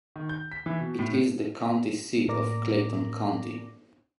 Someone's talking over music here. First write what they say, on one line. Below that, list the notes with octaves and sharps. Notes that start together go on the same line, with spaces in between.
It is the county seat of Clayton County.
D#3
G6
B6
E3
B2
A2
A2 A#3 A#4 D5 D6 A#6